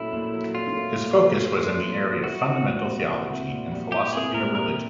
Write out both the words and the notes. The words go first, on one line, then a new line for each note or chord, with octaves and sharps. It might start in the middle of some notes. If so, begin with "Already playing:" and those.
His focus was in the area of fundamental theology and philosophy of religion.
Already playing: A#2 F#3 A3 C#4 E4
A#2
F#3
C#4 F4
A3
A#2
F#3
C#4
A3
A#2
F#3
E4 F#4
C4
A#2
G3
E4
C4
A#2
G3
E4 G4
C4 G#4
A#2 A#4
G3 A#4